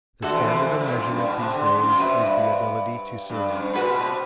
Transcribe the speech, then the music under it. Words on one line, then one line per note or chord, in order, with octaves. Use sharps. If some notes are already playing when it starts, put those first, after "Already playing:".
The standard of measurement these days is the ability to serve.
D3 F#4 A4 E5
C3 E3
D3
C3 E3
A2
A2
A2
F#2
G2
A2
B2
C3
D3
F#2
F#2
C3 F#4 B4 E5
G2
G2
F#2
G2
A2 F#4 B4 F#5 B5
B2
C3